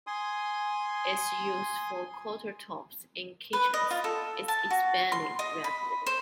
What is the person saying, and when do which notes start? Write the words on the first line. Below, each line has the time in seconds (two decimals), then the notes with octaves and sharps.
Its use for countertops in kitchens is expanding rapidly.
0.07 G#5 C6 D#6
3.53 B4
3.74 D#5
3.91 F4
4.04 A4
4.48 A5
4.70 F#4
5.12 C6
5.39 D#5
5.64 B5
6.07 C5